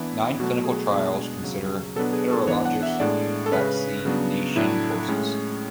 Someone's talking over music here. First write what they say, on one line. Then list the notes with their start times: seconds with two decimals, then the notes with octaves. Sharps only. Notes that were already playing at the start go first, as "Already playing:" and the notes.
Nine clinical trials consider heterologous vaccination courses.
Already playing: E3 B3 D4 E4
0.40 B2 F#3 A3 F#4
0.65 G#4
0.91 B2 G#3 D4
1.44 C#3 F#3 C#4
1.96 B2 F#3 B3 D4 A4
2.13 G#4
2.31 A4
2.47 E3 B3 D4 C#5
2.65 F#5
2.83 E5
3.00 A2 G#3 D4 D5
3.46 A4
3.52 C#3 G#3 C#4 B4
4.05 C#3 F#3 B3 D4
4.56 A2 F#3 A3 D4 E4
5.08 A2 G#3 C#4